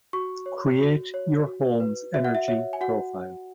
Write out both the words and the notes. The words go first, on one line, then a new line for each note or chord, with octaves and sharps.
Create your home's energy profile.
F#4 C#6
C#5
F#4
C#5
F#4
B4
F#4 E5
F#5
E5
C#5 E5
G#5
F#4 F#5